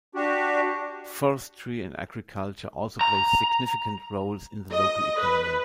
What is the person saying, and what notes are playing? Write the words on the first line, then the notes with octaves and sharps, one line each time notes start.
Forestry and agriculture also play significant roles in the local economy.
D4 F#4 G4
A#5
D#5
B4